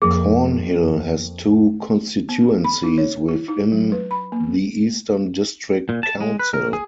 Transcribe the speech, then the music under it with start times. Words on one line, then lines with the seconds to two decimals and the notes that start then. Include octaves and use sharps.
Kornhill has two constituencies within the Eastern District Council.
0.02 F2 A#3 G#4
2.29 B3
2.64 B5
2.83 D#4
2.98 C#5
3.29 E4
3.48 D#4
3.72 F#3
3.92 B4
4.11 B5
4.32 A#3
5.89 A#2
6.03 A5
6.20 G#3
6.39 B4
6.53 A#4
6.73 G#4